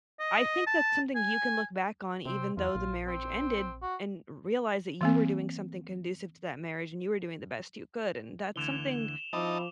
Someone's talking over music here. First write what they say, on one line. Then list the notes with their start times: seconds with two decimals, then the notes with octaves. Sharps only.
I think that's something you can look back on even though the marriage ended, and realize that you were doing something conducive to that marriage and you were doing the best you could, and that's something
0.20 D#5
0.67 A5
1.15 G#5
2.26 C3 C4
2.57 E2 F4
2.75 A#1
3.07 C4
3.82 F#4
5.01 E3 A#3 C4
8.56 D2 D3 E3 E7 F7 G7
9.33 F3 C4 D#4 E4 D#5 A5 D6